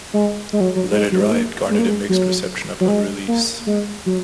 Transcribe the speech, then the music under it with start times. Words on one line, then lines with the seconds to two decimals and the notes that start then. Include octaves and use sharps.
"Let It Ride" garnered a mixed reception upon release.
0.14 G#3
0.53 G#3
0.60 F#3
0.75 F#3
0.91 G#3
1.12 F#3
1.21 G#3
1.31 A#3
1.70 G#3
1.79 A#3
1.88 G#3
2.09 F#3
2.80 F#3
2.88 G#3
3.28 A#3
3.67 G#3
4.06 F#3